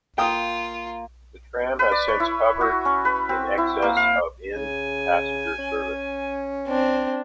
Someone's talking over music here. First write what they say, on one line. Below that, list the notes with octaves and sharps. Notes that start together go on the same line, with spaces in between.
The tram has since covered in excess of in passenger service.
A#3 F4 G5 D#6
B4
D5
C#5
E4
F#4
C#4
B4
C4
E4
A#3
F5
C#3 G#5
C#4
C4 D4